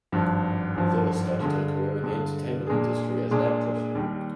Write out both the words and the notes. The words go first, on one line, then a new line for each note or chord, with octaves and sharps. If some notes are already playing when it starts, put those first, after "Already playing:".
Villa started her career in the entertainment industry as an actress.
G#1 G2 F3
G#1 G2 F3
G2 D3 G#3
G2 D3 G#3
A#2 G#3 D4 G#4
A#2 G#3 D4 G#4
D#2 D#3 G3